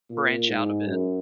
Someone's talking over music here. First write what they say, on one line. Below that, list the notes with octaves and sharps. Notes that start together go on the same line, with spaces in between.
branch out a bit.
A#2
G#2
F#2